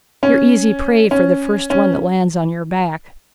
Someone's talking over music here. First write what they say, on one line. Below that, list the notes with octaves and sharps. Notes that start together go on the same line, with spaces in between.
You're easy prey for the first one that lands on your back.
C#4
C#4
C#4